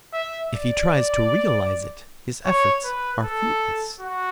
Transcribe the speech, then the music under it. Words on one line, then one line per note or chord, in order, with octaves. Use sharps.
If he tries to realize it his efforts are fruitless.
E5
D5
C#5
B4
A4
F#4